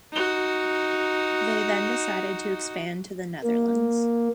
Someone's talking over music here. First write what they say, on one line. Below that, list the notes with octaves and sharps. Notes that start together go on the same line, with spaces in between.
They then decided to expand to the Netherlands.
D#4 F#4
A#3